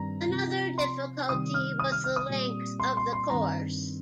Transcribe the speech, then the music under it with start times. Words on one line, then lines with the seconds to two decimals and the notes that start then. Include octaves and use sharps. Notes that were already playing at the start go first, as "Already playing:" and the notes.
Another difficulty was the length of the course.
Already playing: G2 D#3 G3 C4 A#5
0.27 C3 F3 C4
0.78 C6
1.28 C3 D#3 G3 C4 D#6
1.54 F6
1.79 D#6
1.92 F6
2.04 F6
2.16 D#6
2.29 A#2 G3 C4
2.80 C6
2.97 C6
3.13 C6
3.30 G2 D#3 C4 A#5